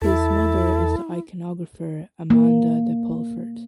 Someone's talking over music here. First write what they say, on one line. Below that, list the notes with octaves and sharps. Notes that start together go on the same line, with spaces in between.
His mother is the Iconographer Amanda de Pulford.
E2 E4 A4 A5
A#3